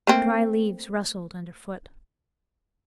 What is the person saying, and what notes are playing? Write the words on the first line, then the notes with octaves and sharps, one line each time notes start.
Dry leaves rustled under foot.
A3 A#3 C4